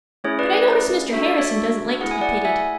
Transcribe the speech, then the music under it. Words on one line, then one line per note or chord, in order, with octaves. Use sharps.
But I notice Mr. Harrison doesn't like to be pitied.
A3 C#4 E4 G#4 C#5
B4 D5
B4 D5
D4 F#4 A4 E5
D5
C#5 E5
A3 E4 G#4 F#5
G#5
D5 F#5
E5 G#5